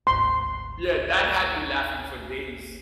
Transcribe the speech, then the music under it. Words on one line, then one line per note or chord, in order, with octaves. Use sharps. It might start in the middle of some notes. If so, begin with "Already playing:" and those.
yeah, that had me laughing for days.
G#1 D2 C6